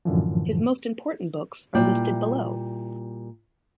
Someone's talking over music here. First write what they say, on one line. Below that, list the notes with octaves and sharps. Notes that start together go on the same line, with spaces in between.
His most important books are listed below.
F#2 A2 D3 E3 F3
A#2 G3 E4 D5 G5